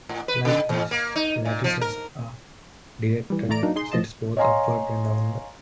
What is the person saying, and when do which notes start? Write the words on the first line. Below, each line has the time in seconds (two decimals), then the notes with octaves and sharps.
Likewise, lattices are directed sets both upward and downward.
0.09 A2
0.28 B4
0.45 C#3
0.69 E2
0.91 A#3
1.16 D#4
1.45 A#2
1.64 F3
1.81 A#4
3.30 E3 G3
3.49 A2 E3 A3 D5 A#5 D7
3.63 F#3 A#3 D4 D#4
3.76 D#4 G#4 C6
3.92 A2 F3 D#5 A5
4.37 C#5 D#5 F5 G#5 A#5 C6